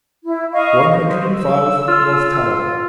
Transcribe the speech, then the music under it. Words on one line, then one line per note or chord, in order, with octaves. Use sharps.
"One Hundred and Five, North Tower."
E4
D#5 F5 C#6
C5
E6
F4